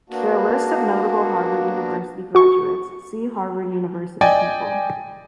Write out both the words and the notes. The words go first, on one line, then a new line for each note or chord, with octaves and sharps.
For a list of notable Harvard University graduates, see Harvard University people.
A#3 B3 D4 F#4
F#4 C#6
D5 D#5 G5 G#5